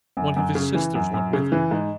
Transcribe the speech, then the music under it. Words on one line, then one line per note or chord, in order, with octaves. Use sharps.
One of his sisters went with him.
F#2
F#2
C#3
E3
F#2
F#2
C#3
E3
G#2